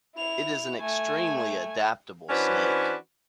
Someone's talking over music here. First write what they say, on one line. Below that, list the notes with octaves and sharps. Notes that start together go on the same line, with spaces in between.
It is an extremely adaptable snake.
E4 F7
A3 G#5
E3 C#4 D4 F#4 B4 C5